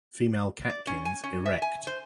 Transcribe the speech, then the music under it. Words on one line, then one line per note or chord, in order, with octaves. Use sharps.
Female catkins erect.
D5
C#4
G#5
C#4
E5
G#5
C5